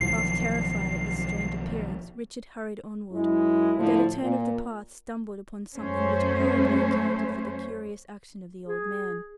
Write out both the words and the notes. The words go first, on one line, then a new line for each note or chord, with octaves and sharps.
Half-terrified at this strange appearance, Richard hurried onward, and at a turn of the path stumbled upon something which horribly accounted for the curious action of the old man.
B1 D#3 F3 C7
F#2 G#3 E4
A2 D3 F3 E4
A#2
F#2 A3 C#4 C5
G#4